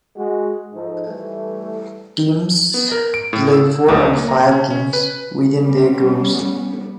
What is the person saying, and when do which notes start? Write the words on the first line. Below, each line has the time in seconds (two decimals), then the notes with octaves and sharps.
Teams play four or five games within their group.
0.16 G#3 F#4
0.74 G#2 F3 D#4 A4
1.07 E3 G3 A3
2.74 B3
2.92 A#4
3.14 D7
3.33 A2
3.53 E6
3.88 D2
4.13 A#3
4.28 A#5
4.51 C#4
4.70 C#4
4.93 B4
5.58 G3 B3 C#4